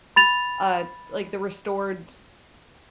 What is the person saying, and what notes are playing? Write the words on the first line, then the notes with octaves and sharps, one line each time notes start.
uh, like, the restored,
B5 A6 F7